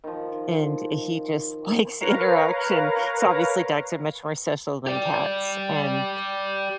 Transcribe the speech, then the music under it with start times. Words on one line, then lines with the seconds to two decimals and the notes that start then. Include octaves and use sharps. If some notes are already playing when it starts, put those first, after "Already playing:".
and he just likes interaction, so obviously, dogs are much more social than cats, um,
0.04 D#3 F3
2.00 A#4 B4 C#5 F5 A#5
4.87 G4 D5